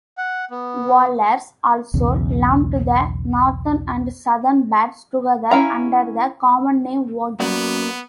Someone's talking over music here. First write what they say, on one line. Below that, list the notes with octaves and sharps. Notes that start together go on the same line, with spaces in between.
Whalers also lumped the northern and southern birds together under the common name "woggins".
F#5
B3
B1 E2 C#3
C#4 E4 F5 A#5
F#2 A#3 B3 D5 F#5